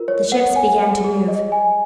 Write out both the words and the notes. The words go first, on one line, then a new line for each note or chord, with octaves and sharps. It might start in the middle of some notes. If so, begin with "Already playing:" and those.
The ships began to move.
Already playing: F4 A#4
C#5
F#5
G#5
G#4
G#4
D#5
G#5